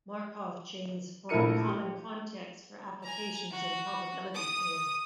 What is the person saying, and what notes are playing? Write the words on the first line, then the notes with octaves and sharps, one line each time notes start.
Markov chains form a common context for applications in probability theory.
A#1 A3 E4 A#4 C#7 D#7
G4
G#5 A#5
F#4
D#6 D#7